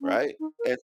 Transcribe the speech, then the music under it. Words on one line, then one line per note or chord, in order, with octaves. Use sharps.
right? And
C#4
D#4
A#4